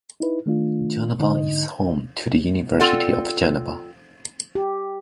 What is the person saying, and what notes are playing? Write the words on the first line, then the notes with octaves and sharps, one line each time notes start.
Geneva is home to the University of Geneva.
D#4 E4 B4
D#3 A3 D4 F4
G#2 D3 D#4 D#5
C4 F4 A4 D5 F#5
G4